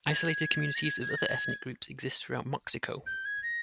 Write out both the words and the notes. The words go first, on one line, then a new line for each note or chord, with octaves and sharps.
Isolated communities of other ethnic groups exist throughout Moxico.
G#6
A#6
G#6
G#6
A#6
G#6
G6
G#6
A#6